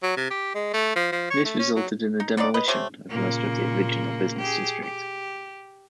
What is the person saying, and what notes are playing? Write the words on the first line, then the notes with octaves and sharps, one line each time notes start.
This resulted in the demolition of most of the original business district.
F#3
C3
G4
G#3
A3
F3
F3
C#5
A3
C#4
F#3
D#4
D3 D4 D#4 D5
B4 D#5
A3 C4 C#4 G4
A#2 C#3 A#3
G4 G#4
G4